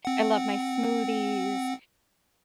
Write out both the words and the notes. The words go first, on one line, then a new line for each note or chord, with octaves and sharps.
I love my smoothies.
C4 F#5